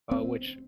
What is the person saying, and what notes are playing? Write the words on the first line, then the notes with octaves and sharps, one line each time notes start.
uh, which
C4